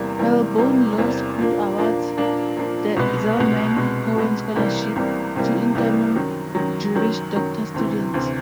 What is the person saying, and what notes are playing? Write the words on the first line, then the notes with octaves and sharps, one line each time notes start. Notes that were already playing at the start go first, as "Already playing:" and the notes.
Melbourne Law School awards the "Zelman Cowen Scholarship" to incoming Juris Doctor students.
Already playing: E2 C3 E3 G3 A#3
E2 C3 E3 G3 A#3
E2 C3 E3 G3 A#3
E2 C3 E3 G3 A#3
A#2 F3 A#3 D4
A#2 F3 A#3 D4
A#2 F3 A#3 D4
A#2 F3 A#3 D4
C2 B2 G#3 B3
C2 B2 G#3 B3
C2 B2 G#3 B3
C2 B2 G#3 B3
C2 C3 E3 G3 A#3
C2 C3 E3 G3 A#3
C2 C3 E3 G3 A#3
C2 C3 E3 G3 A#3
F#2 D#3 F#3
F#2 D#3 F#3
F#2 D#3 F#3
F#2 D#3 F#3
D2 C3 E3
D2 C3 E3